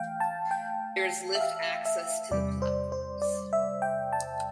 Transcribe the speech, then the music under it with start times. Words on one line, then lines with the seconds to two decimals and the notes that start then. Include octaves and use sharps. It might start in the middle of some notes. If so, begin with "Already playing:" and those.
There is lift access to the platforms.
Already playing: E3 A3 F5 G5
0.20 A5
0.51 G5
1.35 E5
1.41 F5
1.85 E5
2.31 E2 C3 G3 D5
2.62 C5
2.92 C5
3.22 D5
3.53 E5
3.82 G5
4.13 A5